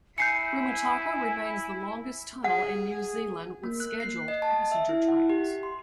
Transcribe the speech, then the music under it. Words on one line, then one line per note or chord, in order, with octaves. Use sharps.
Rimutaka remains the longest tunnel in New Zealand with scheduled passenger trains.
E4 G#5 G6 C7 C#7
G#4 F#5
A#3
F#6
C7
D#5
A5
E5
E4
F#5
G4
C6